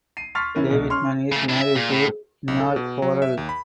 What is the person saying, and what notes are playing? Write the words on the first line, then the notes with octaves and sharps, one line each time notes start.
Davidman is married to Neal Horrell.
C7 D#7
C6 C#6 F6 A6 B6 C7
E3 C#4 A#4
C2 B2
C#4 C6 C#6 F6
C#3 A3
D4 E4
E5
A#2
A2
B1
A4
B2
F#3
E5
D#2
B5